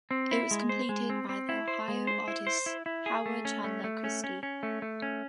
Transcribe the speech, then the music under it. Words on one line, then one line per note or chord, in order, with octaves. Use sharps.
It was completed by the Ohio artist Howard Chandler Christy.
C4
E4
G#3
C5
G#3
C4
C4
E4
C5
G#3
C5
E4
C5
E4
E4
G#4
A3
C#4
A3
A3
C#4
C#4
C#4
A3
A3
C#4